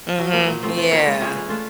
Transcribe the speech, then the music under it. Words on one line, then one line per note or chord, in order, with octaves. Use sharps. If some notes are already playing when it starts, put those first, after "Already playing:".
Mhm, yeah.
F#3
A#3 D#4
A#2
F3 A3 C4
F3
A#3 C#4 E4
G#3
C#4 F4 G#4
E3
A3 D4 F4